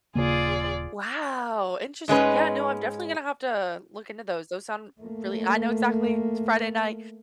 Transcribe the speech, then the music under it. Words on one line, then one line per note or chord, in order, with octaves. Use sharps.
Wow, interesting. Yeah, no, I'm definitely gonna have to look into those. Those sound n really I know exactly, it's Friday night.
D#1 C#3 A#3 F4 G#4 D5
G#2 G#3 C#4 B4
A3 A#3